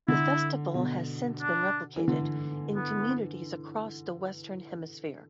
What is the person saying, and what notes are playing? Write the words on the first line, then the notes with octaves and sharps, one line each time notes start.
The festival has since been replicated in communities across the western hemisphere.
D3 E4
B2
D4
E3
D3
B3